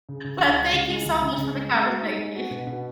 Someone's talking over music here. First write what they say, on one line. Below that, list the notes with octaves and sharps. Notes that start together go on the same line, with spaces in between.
Well, thank you so much for the conversation.
C#3
C#3
C#2
G#3
C#3
G#3
C#2
C#2
C#3
G#3
G#3
F#4
D#4
G#3
F#4
B2
B2